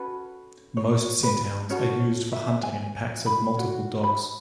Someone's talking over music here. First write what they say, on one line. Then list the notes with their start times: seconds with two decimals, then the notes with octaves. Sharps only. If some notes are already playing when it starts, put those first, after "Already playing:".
Most scent hounds are used for hunting in packs of multiple dogs.
Already playing: C#4 F#4 A4 B4
0.77 C#5
1.23 B4
1.70 C#4 F#4 A4 C#5
2.32 E5
2.63 G#5
3.26 B5
3.57 C#4 F#4
4.03 B5